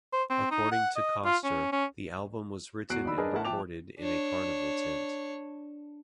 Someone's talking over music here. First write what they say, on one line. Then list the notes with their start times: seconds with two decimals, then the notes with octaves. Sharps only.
According to Koster, the album was written and recorded in a carnival tent.
0.13 C5
0.30 C4
0.51 D#4
0.72 F#5
0.96 D#5
1.25 F4
1.44 C#4
1.72 C#4
2.90 E2 F#4 F#6 C7 D7
3.04 D#2 D#4 D5 B5 E6
3.17 D4 G#4 A#4 B4 D#5 A5
3.33 A1 A2 E4 A#4 F#5 A5
3.45 F3 E5 G5 A5 D6 F7
3.99 D4 C#5